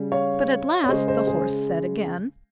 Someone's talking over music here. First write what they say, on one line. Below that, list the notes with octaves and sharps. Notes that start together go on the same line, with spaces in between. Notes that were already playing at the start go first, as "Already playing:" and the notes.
But at last, the Horse said again.
Already playing: C#3 G3
C#5 F5
C#5
C#3 G#3 C5 D#5
C5 D#5
G#4 C5